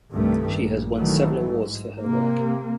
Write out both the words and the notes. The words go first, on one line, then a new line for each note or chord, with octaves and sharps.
She has won several awards for her work.
C2 G2 D#3 A3
A#1
D#3 E3 F#3 A3
G#2
C3 A#3